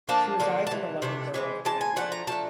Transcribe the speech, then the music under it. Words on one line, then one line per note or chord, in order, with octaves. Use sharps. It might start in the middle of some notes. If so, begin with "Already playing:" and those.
She resides in the London Borough of Camden.
D3 F3 A#3 D4 A5
D3 F3 A#3 D4
A5
C3 E3
C3 E3 A3 D4
E3 G#3 C4
E3 G#3 A5
G#5
F3 A3 D4 F#5
A#5
F3 A3 D4 A5